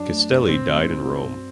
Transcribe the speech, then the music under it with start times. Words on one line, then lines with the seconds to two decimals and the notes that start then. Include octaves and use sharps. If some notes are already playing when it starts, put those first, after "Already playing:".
Castelli died in Rome.
Already playing: F#2 F#3 D4
0.11 A3
0.30 F#2
0.48 A#2 C4
0.68 A3
0.86 D#4
1.04 F#4
1.24 G2